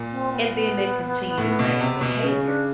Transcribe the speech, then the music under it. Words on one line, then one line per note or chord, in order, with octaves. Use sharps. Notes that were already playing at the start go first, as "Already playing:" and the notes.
and then they continue the same behavior.
Already playing: A#2
C4
B3
B3
A2
B2
C3
B2
C#3 C#4
D4